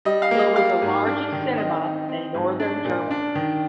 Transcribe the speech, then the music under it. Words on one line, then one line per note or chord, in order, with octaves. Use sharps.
It was the largest cinema in northern Germany.
G3 D#5
F5
A#3
D#5
G3 F5
G#2
D4
D#3
C4 D#5
D#4
C4
G#2
D4 D5
A#2
D4
D#3